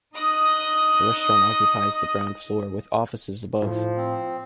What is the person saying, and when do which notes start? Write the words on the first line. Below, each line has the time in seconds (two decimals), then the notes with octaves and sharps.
A restaurant occupies the ground floor with offices above.
0.15 D#4 D#5 D#6 F#6
3.62 A2 F3
3.97 C4